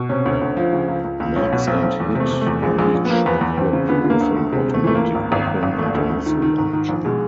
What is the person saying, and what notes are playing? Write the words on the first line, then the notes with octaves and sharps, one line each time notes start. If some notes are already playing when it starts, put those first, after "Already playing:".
Max and Hit are each equipped with an automatic weapon and a missile launcher.
Already playing: B2
C3 C#4
D2
D2
F3
C#3
C#2
C#2
C#2
B1 C#4
B2
B1 C4
B1
E2
C3 A3
C3
A3
E2
A#1 G#3
A#1 G#3
A#1
B3
F3 A#3
E2 B3
E2
E2 C4
C#3
D3 B3
D3
A#3
D2
A3
D2
C3 G#3
C3
A3
E3 A3
C#2 A#3
G#1
G#1
G#1
G#1
E1 A3
D2
D2
D#3
D#3
G#2
D#3
A#1
B2 G#3